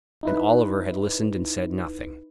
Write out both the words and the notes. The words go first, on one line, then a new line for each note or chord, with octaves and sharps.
And Oliver had listened and said nothing.
D#4 E4 B4